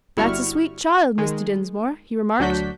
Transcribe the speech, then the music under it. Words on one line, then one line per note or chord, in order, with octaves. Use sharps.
"That's a sweet child, Mr. Dinsmore," he remarked.
G1 G3 E4 F#4 C#6 F6
D#3 G#3
D2 F#3 D4 F#4 G6 B6